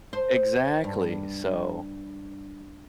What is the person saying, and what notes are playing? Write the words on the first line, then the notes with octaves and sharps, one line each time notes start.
exactly, so,
C5
G2